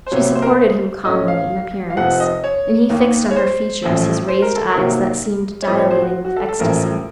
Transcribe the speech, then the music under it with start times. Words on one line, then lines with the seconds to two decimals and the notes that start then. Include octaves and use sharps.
She supported him calmly, in appearance; and he fixed on her features his raised eyes that seemed dilating with ecstasy.
0.06 C5
0.12 C2 C3 F#3 A#3 C#5
0.35 C5
0.42 A#4
0.50 C5
1.04 A2 A3 C#4 D#5
1.28 F5
1.90 F5
1.96 F1 F2 C3 F3 C4 F#5
2.20 D#5
2.44 C#5
2.90 D#2 D#3 A#3
3.31 C#5
3.36 C5
3.82 A1 A2 F3 A3
4.28 C5
4.42 A#4
4.55 A4
4.70 A#4
4.75 C2 C3 D#3 F#3 A#3
5.62 C#5
5.67 A2 F3 C4 D#5
5.78 C#5
5.91 C5
6.02 F#4
6.25 F#4
6.36 A4
6.49 A4
6.59 A1 A2 F3 A3 A#4